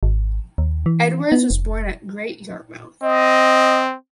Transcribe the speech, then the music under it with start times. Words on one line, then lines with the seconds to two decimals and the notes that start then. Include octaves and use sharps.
Edwards was born at Great Yarmouth.
0.03 G#1
0.58 D#2
0.86 E3
1.32 B3
1.51 F1
3.04 C4 D#5